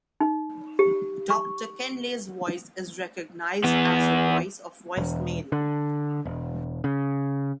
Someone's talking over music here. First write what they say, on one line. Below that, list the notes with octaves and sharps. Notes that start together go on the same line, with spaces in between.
Doctor Kenley's voice is recognized as the "voice of voicemail".
D#4
G4
C#6
E2 B3
E1
D3
E1
C#3